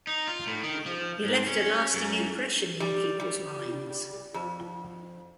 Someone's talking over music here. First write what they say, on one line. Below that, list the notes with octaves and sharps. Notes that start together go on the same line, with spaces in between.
He left a lasting impression in people's minds.
D#4
F4
A2
D#3
F3
G#2
C#4
F#2
G3
G3
F2